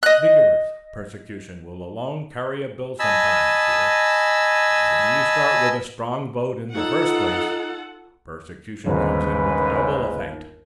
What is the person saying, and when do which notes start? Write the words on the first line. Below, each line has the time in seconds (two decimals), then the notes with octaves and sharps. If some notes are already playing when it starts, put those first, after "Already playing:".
Vigorous persecution will alone carry a bill sometimes, dear; and when you start with a strong vote in the first place, persecution comes in with double effect.
0.03 D#5 F#6
2.99 D#5 G#5 A5 B5 E6
6.75 D#4 F4 A4 F#5
8.86 G1 D#2 G#2 C#3 B4